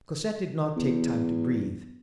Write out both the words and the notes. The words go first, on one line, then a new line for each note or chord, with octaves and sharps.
Cosette did not take time to breathe.
E2